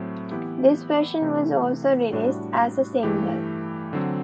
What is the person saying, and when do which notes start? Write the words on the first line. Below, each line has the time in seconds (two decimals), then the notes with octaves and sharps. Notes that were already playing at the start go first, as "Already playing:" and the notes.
This version was also released as a single.
Already playing: A2 F#3 A3 C4
0.31 E3 B3 E4 G4
1.22 C3 E3 A3
2.12 A2 G3 D4 F#4
3.03 G2 E3 A3 E4 G4
3.93 D3 F#3 C4